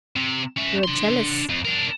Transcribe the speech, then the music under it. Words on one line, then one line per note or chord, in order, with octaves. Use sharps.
You are jealous.
C3
C#4 E5
D4 C6
F2
D4 A#4